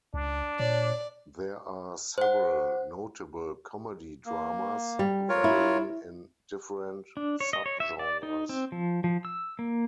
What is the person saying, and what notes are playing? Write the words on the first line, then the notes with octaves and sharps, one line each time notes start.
There are several notable comedy-dramas, varying in different subgenres.
C#2 D4
A#2 C#5 D5
C5 F#5
A#3
G3
F4 A#4 C#5
E4
D4
C#5
D#5
C#5
E5
D5
D#4
C4
F3
F3
E6
A#3